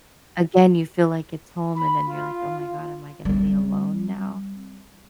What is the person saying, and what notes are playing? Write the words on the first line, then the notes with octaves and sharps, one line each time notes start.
again, you feel like it's home, and then you're like, "Oh my god, am I gonna be alone now?"
B5
F4
G3 C4